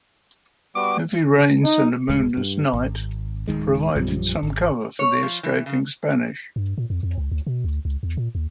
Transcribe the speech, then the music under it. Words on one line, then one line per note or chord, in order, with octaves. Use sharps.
Heavy rains and a moonless night provided some cover for the escaping Spanish.
G3 B3 F#4 D6
D#4 D#5
D1 D2 G#3
G2
G#1
D1 B1 D#3 G#3
A#1 F#2 F3 G3
G#1
C#5
F3
E3
C#3
G2
A#2
F2
F2
C#2
D2
B2
D2
C#2
E2
A#2
D#2